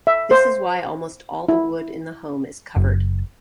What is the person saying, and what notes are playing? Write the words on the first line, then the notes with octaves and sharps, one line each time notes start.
This is why almost all the wood in the home is covered.
E5
C5
E4
F#1